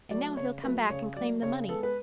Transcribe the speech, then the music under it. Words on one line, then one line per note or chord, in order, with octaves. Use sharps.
And now he'll come back and claim the money.
F#3 A3 D5
C#3 C#5
F#3 A3 B4
C#3 C#5
F#3 A3 D5
C#3 C#5
G#3 B3 A4
B4